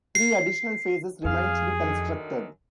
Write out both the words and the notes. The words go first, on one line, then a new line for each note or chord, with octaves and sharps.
Three additional phases remain to be constructed.
C7
F2 G#4 F5
F#2 D3 D#3